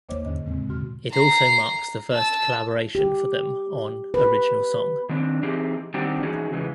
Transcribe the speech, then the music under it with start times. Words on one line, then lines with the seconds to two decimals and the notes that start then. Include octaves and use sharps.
It also marks the first collaboration for them on original song.
0.09 D#2 A#3 C5 C#5 D#5 D6
0.24 E2 G#2 D3 C#4 D#5
0.46 A2 C#3 G#3 C4
0.69 B2 D3 F#4 C6 F6
1.12 A#5 C7
2.12 A5 E6
2.95 G4
4.14 B4
5.09 D#3 C4 D4
5.43 E3 C4 D#4 G4 G#4
5.94 D#3 G3 C4 D4 F#4 G4
6.23 E3 C#4 D#4 F#4 G#4
6.51 E2 C#3 E3 G#3